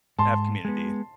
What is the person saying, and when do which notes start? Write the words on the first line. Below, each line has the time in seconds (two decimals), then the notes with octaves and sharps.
I have community.
0.19 G#2 A5 C6
0.65 G#3 B3